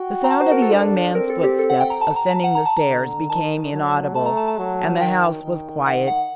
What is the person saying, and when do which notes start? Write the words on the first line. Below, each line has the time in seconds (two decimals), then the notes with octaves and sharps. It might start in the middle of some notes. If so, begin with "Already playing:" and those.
The sound of the young man's footsteps ascending the stairs became inaudible, and the house was quiet.
Already playing: F#4 G5
0.24 A#5
0.31 A5
0.41 C5
0.52 A#4
0.62 A4
0.73 D4
1.15 C4 A#4
1.30 A4
1.44 G4
1.59 A4
1.70 F#5
1.80 G5
1.90 A#5
2.01 A5
2.16 A#5
2.30 A5
2.44 F#5
2.55 A#5
2.66 A5
2.76 A#5
2.87 D3
3.29 D#3 A5
3.73 F#3
4.15 A3 A5
4.26 A#5
4.37 A5
4.48 A5
4.58 F#3
5.01 D#3 G5
5.44 D#3
5.86 D#3 F#5
6.08 F#5